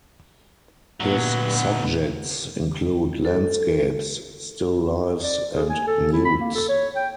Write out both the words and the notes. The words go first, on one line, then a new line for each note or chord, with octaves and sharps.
His subjects include landscapes, still lifes, and nudes.
D2 A#2 F#3 B3
A4
D5
G#4
G#5
A4
E4
B5
A#3
A4
C#5
G5